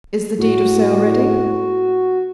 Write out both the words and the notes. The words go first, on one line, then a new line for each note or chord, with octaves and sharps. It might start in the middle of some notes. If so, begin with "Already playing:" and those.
"Is the deed of sale ready?"
A2 F#4